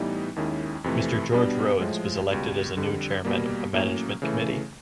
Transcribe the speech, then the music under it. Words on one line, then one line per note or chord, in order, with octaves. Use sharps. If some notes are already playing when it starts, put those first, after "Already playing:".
Mister George Rhodes was elected as the new chairman of the Management Committee.
Already playing: A2 E3 G3 B3 D#4
D#2 D#3 G#3 C#4 E4
F2 C3 E3 A3
B2 G3 B3 D4
A2 F3 G#3
C#2 B2 G3
F2 D3 G3
B2 G3 A#3
A2 F#3 A#3 C#4
C#3 E3 A3